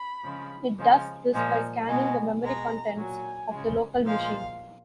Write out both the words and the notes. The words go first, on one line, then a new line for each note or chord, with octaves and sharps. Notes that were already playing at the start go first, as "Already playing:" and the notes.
It does this by scanning the memory contents of the local machine.
Already playing: B5
C#3 F3 G#3
C#3 F3 G#3
A#2 F3 G#3
B2 G#3
B2 G#3 A#5
A#2 F#3 G#5
C#3 G#3
A#2 F3 G#3 F5